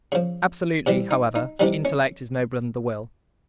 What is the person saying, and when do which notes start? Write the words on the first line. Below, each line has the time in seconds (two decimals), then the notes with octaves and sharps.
Absolutely, however, the intellect is nobler than the will.
0.12 C#3 F3
0.86 C3 E3 G3
1.11 D#4
1.36 D#4
1.60 C3 E3 G3 D#4
1.85 C#4